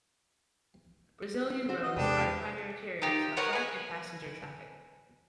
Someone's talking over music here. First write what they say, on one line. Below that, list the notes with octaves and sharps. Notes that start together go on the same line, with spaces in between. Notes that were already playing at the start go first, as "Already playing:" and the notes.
Brazilian roads are the primary carriers of freight and passenger traffic.
C4 F#4 C5
D#5
E2 C3 G#3 D4 G4 A4 B4
D#4 F4 G4
A#4 B4 C#5 F#5
B4 G#5